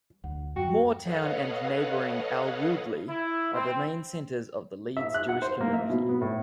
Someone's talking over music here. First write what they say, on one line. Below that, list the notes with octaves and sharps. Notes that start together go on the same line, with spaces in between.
Moortown and neighbouring Alwoodley are the main centres of the Leeds Jewish Community.
D2 F#5
F#2 F#4 G5
A4 B4 C#5 D#5 F5 F#5
E4
C4
E5
F#6
F#5
C5
A#3
E5
B2
B3
A2